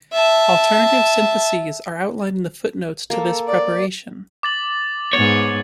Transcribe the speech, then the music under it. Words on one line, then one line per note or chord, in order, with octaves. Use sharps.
Alternative syntheses are outlined in the footnotes to this preparation.
E5 A5
A#3 A4
D5
D6 A6 F#7
G#2 B3 C#5